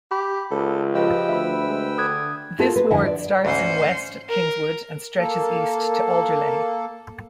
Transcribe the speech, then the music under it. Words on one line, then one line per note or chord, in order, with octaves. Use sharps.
This ward starts in west at Kingswood and stretches east to Alderley.
G4 B5
C#2 A4
F3 G4 B4 D#5 G5 E6
D2 E5 B5
G#3
D3 D#6 F#6 G#6
A3 A#3 F4 F#4 A4
B4
F2 D3 E4 E5 F#5
D5
D2 G#2 E3 C#4 C5
A#4
A#3 A4